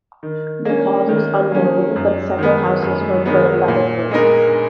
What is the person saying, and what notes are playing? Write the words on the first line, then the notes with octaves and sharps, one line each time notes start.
The cause was unknown, but several houses were burned by the flames.
D#3
A#3 C#4
D#3
A#3 C#4
F#2
D#3 G#3 B3
F#2
D#3 G#3 B3
A#2
G#3 B3 D#4 A#4